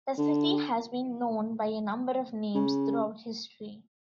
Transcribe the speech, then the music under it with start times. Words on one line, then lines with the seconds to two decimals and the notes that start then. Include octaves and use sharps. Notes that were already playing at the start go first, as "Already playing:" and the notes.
The city has been known by a number of names throughout history.
0.18 D3
2.55 C#3